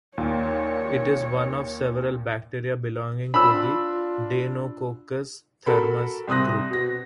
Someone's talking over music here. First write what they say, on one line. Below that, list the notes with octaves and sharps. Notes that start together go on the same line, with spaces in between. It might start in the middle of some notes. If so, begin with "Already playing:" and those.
It is one of several bacteria belonging to the "Deinococcus-Thermus" group.
D#2 A#2 C#5
D4 F4 B5 E6
F#4 A4 A#4 B5
C2 C4 D#6 F#6 A#6
B2 A#6